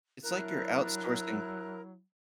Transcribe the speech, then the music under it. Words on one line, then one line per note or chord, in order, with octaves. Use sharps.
It's like you're outsourcing
F#3 D4 E4 A#4 F#6